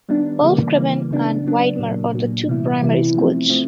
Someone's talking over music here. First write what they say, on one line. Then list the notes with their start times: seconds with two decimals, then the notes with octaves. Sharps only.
Wolfgraben and Widmer are the two Primary Schools.
0.09 D#3 G3 B3 D4
0.42 C#3 E3 G3 A#3
0.76 C#3 E3 G3 A#3
1.11 C#3 F#3 B3 D4
1.44 C#3 F#3 B3 D4
1.79 A#2 F#3 A#3
2.14 A#2 F#3 A#3
2.48 C3 E3 G3 B3 E4
2.82 C3 E3 G3 B3 E4
3.15 F3 A3 C4
3.50 F3 A3 C4